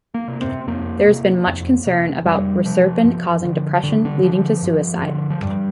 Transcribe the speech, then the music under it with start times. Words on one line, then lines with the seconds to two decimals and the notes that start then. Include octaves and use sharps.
There has been much concern about reserpine causing depression leading to suicide.
0.14 A#3
0.28 C3
0.41 C4
0.67 F2 A#3
1.07 C3
1.47 F2
1.86 C3
2.25 F2 G3
2.65 C3 F3
3.04 G2
3.44 D3
3.83 G2 D3
4.05 D3
4.23 D3 F3
4.62 G2
5.02 D3
5.30 F3
5.41 G2 G3